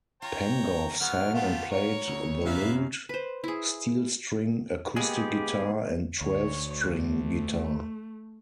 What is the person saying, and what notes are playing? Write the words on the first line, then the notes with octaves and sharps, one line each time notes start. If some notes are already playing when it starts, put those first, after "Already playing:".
Pengov sang and played the lute, steel-string acoustic guitar and twelve-string guitar.
F4 C#5 G5 A#5
F#3 A#3 B3 F6
A3 F4 G4 F5 F#5
A#4 C#5
D2
F#2 C#3 B4 E5 F5
B4 C5
E4 G#4
G#3 A#3 B3 G4 G#4 A#4
D2 C#5
A3